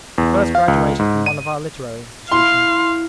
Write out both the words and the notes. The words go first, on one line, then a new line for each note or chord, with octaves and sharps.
The first graduated from one of our literary institutions.
E2
F5
C#2
G#2
D#7
E4 F5 C6